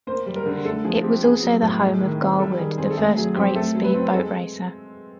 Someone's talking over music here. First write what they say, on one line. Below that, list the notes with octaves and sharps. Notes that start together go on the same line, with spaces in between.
It was also the home of Gar Wood the first great speed boat racer.
A#3 C5
G3
A#4
D3
A3 A4
F3 G#4
C4 G4
B3 G#4
F#3
A2
G#3
D#3
C4
G3 A4
D#3 G#4
C4 G#4
A4
A3 G#4
F#3 G#4
C4 G4
A3 A4
F#3
B4
C4
G#3 A4